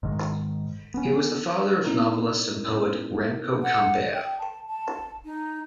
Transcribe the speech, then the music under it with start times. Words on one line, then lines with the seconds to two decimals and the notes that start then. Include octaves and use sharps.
He was the father of novelist and poet Remco Campert.
0.03 G#2 D#3
0.94 B3 C#4
1.85 B3 C#4 D#4 E4 A#4
3.63 F#5
4.14 G5
4.38 A5
4.68 A5
5.25 D#4